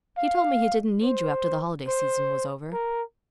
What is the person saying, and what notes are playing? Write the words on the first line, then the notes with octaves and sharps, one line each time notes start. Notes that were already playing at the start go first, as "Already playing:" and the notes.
He told me he didn't need you after the holiday season was over.
F5
C5
C5
A#4